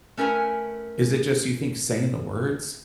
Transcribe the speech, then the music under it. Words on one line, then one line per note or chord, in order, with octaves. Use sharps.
Is it just you think saying the words?
A3 C#4 A#4 B4 G#5